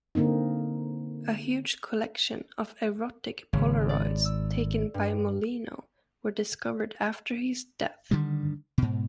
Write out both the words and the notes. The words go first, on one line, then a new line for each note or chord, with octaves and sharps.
A huge collection of erotic polaroids taken by Mollino were discovered after his death.
D3 A#3 C4 D#4
G#1 C#3
D5
E6
G2
D3 D#3 G3
G#2 B2